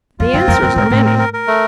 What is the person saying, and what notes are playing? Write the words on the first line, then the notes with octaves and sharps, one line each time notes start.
The answers are many.
F2 F4
F#2 C4
F2 A#4
F#2 C4
G#2 A#4
A2 C4
A#4
A#4
A#4
A3